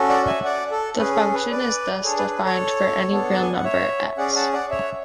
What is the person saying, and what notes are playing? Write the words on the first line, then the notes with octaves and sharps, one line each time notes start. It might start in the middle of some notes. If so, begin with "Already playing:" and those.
The function is thus defined for any real number "x".
Already playing: C#4 F#4 A4
D5 F#5
E5 G#5
D5 F#5
A4
C#4 G#4 B4
A4
B4
B4 D5
D4 G#4 A4 C#5
B4
B4
A4 C#5
B3 D4 A4
A5
G#5
F#5
C#5 E5
C#4 G#4 D5 F#5
F#5 A5
D5 F#5
C#5 E5